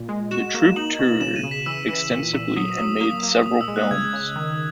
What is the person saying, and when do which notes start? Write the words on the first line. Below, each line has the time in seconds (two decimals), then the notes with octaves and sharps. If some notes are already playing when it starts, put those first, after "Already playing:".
The troupe toured extensively and made several films.
Already playing: A#2
0.09 G#3
0.31 F#4 E7
0.54 A#3
0.76 D#4 F#7
0.99 B2
1.21 C#3 E7
1.36 D#7
1.43 C#3
1.51 B6
1.66 E3 E6
1.88 E3
2.11 A#2
2.33 A#2
2.56 F#3 D#6
2.78 F#3 D#6
3.01 A#3 D#6
3.23 A#3
3.46 A#2 D#6
3.61 E6
3.68 G#3
3.76 F#6
3.91 C#3 G#6
4.13 C#3
4.36 D#3